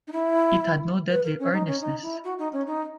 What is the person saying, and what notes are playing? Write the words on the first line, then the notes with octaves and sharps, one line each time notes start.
It had no deadly earnestness.
D#4
E4
B4
A#4
C#4
D#4
C#4
D#4
E4
F#4
D#4
C#4
D#4